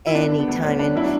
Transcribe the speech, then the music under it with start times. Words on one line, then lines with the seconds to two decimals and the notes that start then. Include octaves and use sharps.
anytime in
0.07 E4
0.14 B3 D4
0.31 D3
0.40 B3
0.48 D2
0.63 B3 C#4
0.79 B3 D4
0.95 F#3 E4
1.04 D4